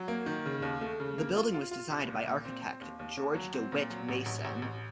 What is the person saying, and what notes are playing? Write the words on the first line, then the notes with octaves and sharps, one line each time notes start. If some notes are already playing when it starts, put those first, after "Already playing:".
The Building was designed by architect George DeWitt Mason.
Already playing: F#3
A#3
D#3
C#3
D#2
A3
C#3
A#3
F4
F4
F4
C2
A#2
A#2
C4
C4
D#2
D#2
D#2
F#3
C4
A#2
F#3
A1
A1
A1
A1